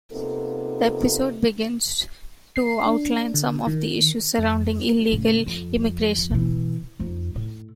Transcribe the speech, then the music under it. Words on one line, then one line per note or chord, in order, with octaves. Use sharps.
The episode begins to outline some of the issues surrounding illegal immigration.
C3 A#3 B3 D#4 F4 A4
C7
D4
D3
D#3
F2
A2 C#3
F2
B2 E3
F2 D#4
A2